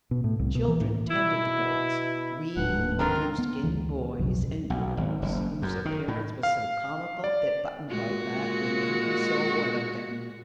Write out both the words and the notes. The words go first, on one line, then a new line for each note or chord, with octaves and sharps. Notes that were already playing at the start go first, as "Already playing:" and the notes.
Children tended the goats--wee Blueskin boys and girls whose appearance was so comical that Button-Bright laughed whenever he saw one of them.
B2
A2
C2
B2
E3
A2
B2 E4
D1 G#2 D4 B4 F#5
D#3 C4 F4 A#4
B3
D2 E3
B1 F2 C#3 F#3
B1
G#1
F#1
F#2
D#3
A2
F5
D5
A#2 G#3 F#4